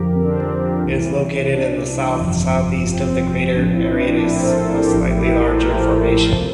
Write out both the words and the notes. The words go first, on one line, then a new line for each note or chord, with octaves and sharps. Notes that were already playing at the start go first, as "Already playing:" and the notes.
It is located to the south-southeast of the crater Aratus, a slightly larger formation.
Already playing: F2 D3 F3 G4 A#4
C4
D4
C4
C2 C3 E3
D4
G1 F2 C3 F3
C4
A#1 A2 F3 D4
C4 E4
D4
D4
C4 E4
A#4
A4 C5
A4 C5
G4 A#4
A1 A2 F3 E4 G4
E4 G4
G4 A#4
A4 C5
G4 A#4
C3 F3 A4 C5